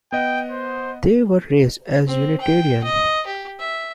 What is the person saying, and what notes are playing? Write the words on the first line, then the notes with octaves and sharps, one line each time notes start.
They were raised as Unitarian.
B3 D#5 F#5 G5
C5
C4
G5
D#5
G4
E5